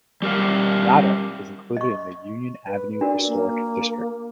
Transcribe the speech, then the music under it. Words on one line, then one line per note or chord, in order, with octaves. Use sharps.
Yaddo is included in the Union Avenue Historic District.
G3 G4 A#4 F5
D#5 C#6
B4
D4 F#4 A#4 D5
A#3